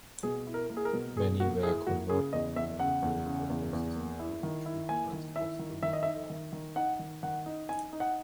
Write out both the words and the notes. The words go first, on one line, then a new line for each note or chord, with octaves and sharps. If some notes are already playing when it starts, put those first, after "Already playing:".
Many were converted to military purposes including troop-transports during the war.
B2 G#4
E4
A#4
A#3
G#4
A#4
B2
B2 G#4
A#3 F#4
E4 G#4
A#3 F#4
C#3 G#4
E2 D#5
E2 E5
C#3 F#5
E2
C#3
E2
E2
A#3
E4
D#3
E4
A#3 G#5
D#3
E4 E5
D#3
D#3 E5
D#5
E5
D#4
D#3
D#3
D#4 F#5
D#3
D#3 F#5
D#4
D#4 G#5
D#4
F#5